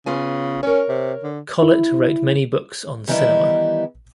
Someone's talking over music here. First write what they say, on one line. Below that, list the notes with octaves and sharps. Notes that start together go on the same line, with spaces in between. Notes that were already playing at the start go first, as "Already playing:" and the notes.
Collet wrote many books on cinema.
C#3 B3 F4 G#5
C#4 A#4 C#5
C3
D3
E4
D#3 E3 G3 B3 D#4 E4